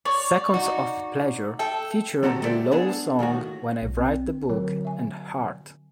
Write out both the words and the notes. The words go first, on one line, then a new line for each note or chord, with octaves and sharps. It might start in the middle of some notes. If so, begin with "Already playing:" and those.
"Seconds of Pleasure" featured the Lowe songs "When I Write the Book" and "Heart".
C#5 D5
D#4 F#4
A4 E5 G5
D3 C4 F#4 G4 A4 A#5
G#3 A4 D5 E5 G5
B3 D4 G#4 A4
D#2 A2 D#3 F#4
B1
C4
D3 F#3 A#4 C#5
E5 G#5